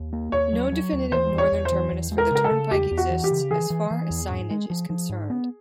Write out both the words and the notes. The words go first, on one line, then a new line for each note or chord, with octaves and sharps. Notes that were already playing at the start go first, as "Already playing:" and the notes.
No definitive northern terminus for the turnpike exists as far as signage is concerned.
Already playing: D#2
A#3
D#2 C#5
F#3
F#3
D#2
E3 C5
E2
C#5
E2
C5
E3
E2
G#3
A#4
C#3 A#4
A4
C#3
E2 G4
E2
F#4
E3
G4
C#3
E3 G#4
E3
E3
E2
G#2
G#3
F3
F3
G#2
B3